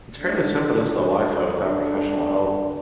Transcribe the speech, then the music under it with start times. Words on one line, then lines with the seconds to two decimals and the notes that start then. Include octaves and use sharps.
It's fairly simple to install wi-fi without professional help.
0.18 D3
1.54 D3